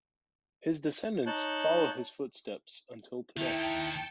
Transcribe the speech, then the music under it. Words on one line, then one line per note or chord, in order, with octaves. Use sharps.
His descendants follow his footsteps until today.
D#4 C#5 A5 F#6 G6
D#3 A#3 E4 G5 A5 C#7